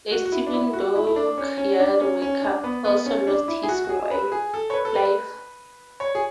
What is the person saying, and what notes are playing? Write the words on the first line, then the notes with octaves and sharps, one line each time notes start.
A civilian dockyard worker also lost his life.
F#4
F#4
E4
D4
E4
F#4
E4
E4
D4
C#4
C#4
D4
C#4
C#4
D4
B3
B3
C#4
D4
E4
G#4
F#4
F#4
G#4
B4
G#4
A4
C#5
B4
A4
B4
C#5
G#4